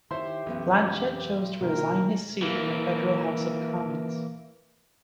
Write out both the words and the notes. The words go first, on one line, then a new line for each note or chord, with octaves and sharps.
Blanchet chose to resign his seat in the federal House of Commons.
D#3 E4 G4 C5 C#5 E5 C6
B1 F2 E3 F#3 B3 C#4
B2 D3 D#3 A#3 A#4
E3 A#3